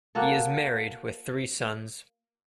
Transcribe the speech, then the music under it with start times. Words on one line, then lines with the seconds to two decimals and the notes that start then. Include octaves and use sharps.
He is married with three sons.
0.15 A#3 F#4 A4